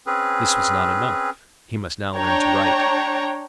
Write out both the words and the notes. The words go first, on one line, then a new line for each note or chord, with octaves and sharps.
This was not enough--he must now learn to write.
C4 C#4 G#4 B4
D4 C#5 G5 A#5